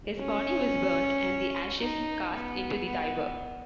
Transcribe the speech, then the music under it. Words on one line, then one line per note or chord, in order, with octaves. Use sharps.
His body was burnt and the ashes cast into the Tiber.
C#4
D#4
B3
B3